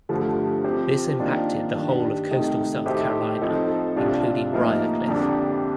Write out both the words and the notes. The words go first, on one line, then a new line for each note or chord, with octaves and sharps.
This impacted the whole of coastal South Carolina, including Briarcliffe.
G2 D3 F3 A3
F3 C4 G4 C5
D#3 A#3 D4 F4
G2 D#3 G3 D4
C3 D#3 A3 D#4
A2 A3 D#4 G4 C5
F3 C4 D#4 A4 C5
C2 C3 G3 D4 F4
A2 F3 A#3 D#4 A#4
F2 D3 G3 D4 G4